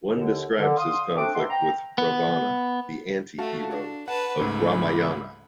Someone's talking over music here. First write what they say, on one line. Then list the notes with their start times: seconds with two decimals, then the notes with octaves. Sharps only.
One describes his conflict with Ravana, the anti-hero of Ramayana.
0.15 D#2 D3
0.59 D3
0.77 F5 C6 D#6
1.17 A3 C4 D4 D6
1.35 B4 D#5 E5 F#5 A5 C6
1.50 G5 A#5
1.98 B3
3.38 A3 F#4 F5 A5
3.72 D4
4.08 B4 F#5 A5
4.39 C#2 G#2 A3 B5